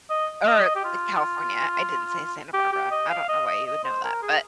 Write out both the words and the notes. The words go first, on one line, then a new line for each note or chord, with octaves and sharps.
or C California, I didn't say Santa Barbara, I don't know why you would know that, but
D#5
D#5
D#5
G4
F4
G4
G4
D#5
F5
D#5
D#5
D#5
C5
A#4
G#4